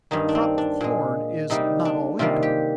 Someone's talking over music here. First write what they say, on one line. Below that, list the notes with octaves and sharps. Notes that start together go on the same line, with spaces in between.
A crop of corn is not all income.
G2 D#3 A#3 D#4
D4
C4
D4
A#2 G#3
C3 G3 A#3 D#4
D4
C3 D#3 G3 A#3 F4
G4